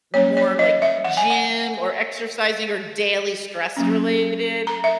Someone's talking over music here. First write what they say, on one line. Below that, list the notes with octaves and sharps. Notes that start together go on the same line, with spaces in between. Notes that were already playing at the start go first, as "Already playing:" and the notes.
more like gym or exercising or daily stress related,
F#3 A#3 C#4 C#5
C#5
D#5
E5
F#5
G#5
F#5
F#3 A#3 C#4
A#5
E5